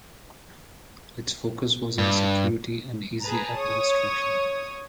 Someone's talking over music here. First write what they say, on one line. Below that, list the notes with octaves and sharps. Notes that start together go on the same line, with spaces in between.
Its focus was on security and easy administration.
G2
G#4 B4 A5 A#5
C#5 D#6